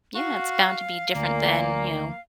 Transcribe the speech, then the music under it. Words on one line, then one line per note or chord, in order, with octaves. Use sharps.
Yeah, it's bound to be different than, you know,
F#4 F5
D2 A#2 A#3